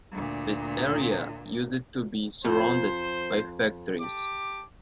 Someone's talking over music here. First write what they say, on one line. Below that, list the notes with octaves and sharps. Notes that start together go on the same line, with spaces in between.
This area used to be surrounded by factories.
D2 A#2
F2 C5
G4 A5 D6